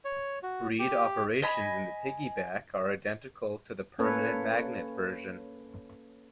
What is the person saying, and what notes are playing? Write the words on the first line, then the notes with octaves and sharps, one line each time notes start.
Read operations in the piggyback are identical to the permanent magnet version.
C#5
F#4
G4
D#5 G#5 B5
A#3 C#4 A4 B4 C#5